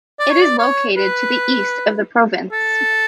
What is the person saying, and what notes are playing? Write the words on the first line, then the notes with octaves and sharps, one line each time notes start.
It is located to the east of the province.
D5
C#5
D5
C#5
B4
A4